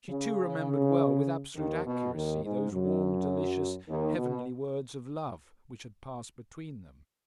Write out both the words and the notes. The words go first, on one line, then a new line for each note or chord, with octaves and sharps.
She too remembered well, with absolute accuracy, those warm, delicious, heavenly words of love which had passed between them.
C#3
D#2 D#3
B2
D#2 D#3
G#2 G#3
F#2 F#3
D#2 D#3
B2